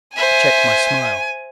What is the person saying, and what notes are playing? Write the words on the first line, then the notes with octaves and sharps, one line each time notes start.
I checked my smile.
C5 E5 G#5